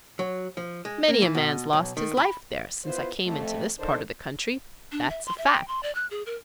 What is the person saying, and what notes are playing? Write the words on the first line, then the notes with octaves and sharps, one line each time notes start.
Many a man's lost his life there since I came into this part of the country, that's a fact.
F#3
F3
G#3
A#3
E3
B2
B1
D#3
B5
B3 E4 F4 B4 C5
F2 A3
D3 D4 D#4 A4 A#4 C5
D4
E5
C6
E5
G5
C6
D5
F#6
G#4
A#4